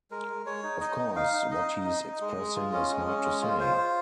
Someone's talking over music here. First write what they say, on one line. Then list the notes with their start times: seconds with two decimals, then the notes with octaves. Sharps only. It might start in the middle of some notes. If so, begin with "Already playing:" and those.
Of course, what he's expressing is hard to say.
0.11 G#3 A#4
0.28 G#3
0.45 G#3 C#5
0.63 D#4
0.80 D#4 D#5
0.99 D#4
1.16 D#4 F5
1.33 D#4
1.51 D#4 D#5
1.68 D#4
1.85 D#4
2.03 D#4
2.21 G#3
2.38 G#3
2.56 F4
2.73 C#4
2.90 G#3
3.08 C#4
3.24 G#3
3.42 F4
3.60 F4 C5
3.77 F4